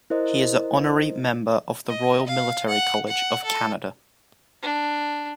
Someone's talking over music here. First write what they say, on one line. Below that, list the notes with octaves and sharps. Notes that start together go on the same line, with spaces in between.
He is an honorary member of the Royal Military College of Canada.
E4 A#4 C5 D#5
D#5
F5
F#5
F#5
A4
D4